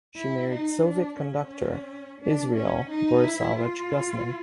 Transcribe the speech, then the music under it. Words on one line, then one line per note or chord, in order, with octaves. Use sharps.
She married Soviet conductor Israel Borisovich Gusman.
E4
D#4
D4
C#4
D4
C#4
D#4
E4
F4